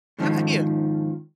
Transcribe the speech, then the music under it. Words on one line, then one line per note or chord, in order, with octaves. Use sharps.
How 'bout you?
G#2 D#3 F3 C#4